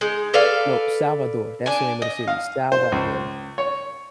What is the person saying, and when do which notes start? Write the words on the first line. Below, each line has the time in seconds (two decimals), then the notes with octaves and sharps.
No, Salvador. That's the name of the city, Salvador.
0.01 G#3 D#4
0.34 A4 B4 D5 F5
1.66 D4 G#5
2.02 D#5
2.28 F5
2.72 C5
2.92 C#2
3.58 C#5